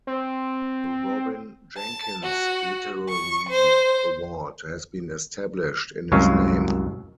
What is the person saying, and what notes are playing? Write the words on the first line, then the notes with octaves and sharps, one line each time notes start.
The Robin Jenkins Literary Award has been established in his name.
C4
A5
F#4
C#6
C5
C2 F#2 G#3 C#5 F5